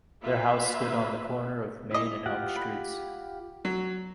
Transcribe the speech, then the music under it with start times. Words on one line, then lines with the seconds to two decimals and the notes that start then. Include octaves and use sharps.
Their house stood on the corner of Main and Elm Streets.
0.22 A#3 F4 B4 E5
1.91 E4 D#5
2.26 F4 G4 F#5
2.56 B5
3.65 F#3